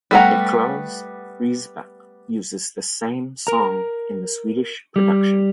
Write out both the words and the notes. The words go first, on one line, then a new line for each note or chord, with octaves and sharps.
Niklas Riesbeck uses the same song in the Swedish production.
G3 A3 B3 F#5 A#5
A#4 A#5
G3